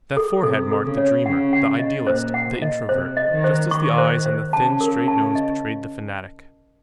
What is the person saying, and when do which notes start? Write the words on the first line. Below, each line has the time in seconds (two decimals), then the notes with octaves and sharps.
That forehead marked the dreamer, the idealist, the introvert, just as the eyes and the thin, straight nose betrayed the fanatic.
0.17 A4
0.43 C3 A4
0.71 A4
0.84 C#3
0.97 C#5
1.26 C#3 F#5
1.53 F#5
1.79 D#5
2.07 A#2 C5
2.34 F#5
2.62 D#5
2.89 C3 C5
3.17 D#5
3.30 D#3
3.44 C5
3.71 D#3 C#6
3.98 C5
4.26 C5
4.53 C#3 A5
4.81 A#4
5.08 A5
5.35 D#5